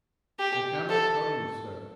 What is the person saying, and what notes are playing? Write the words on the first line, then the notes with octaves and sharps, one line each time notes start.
"I cannot tell you, sir."
G4
A4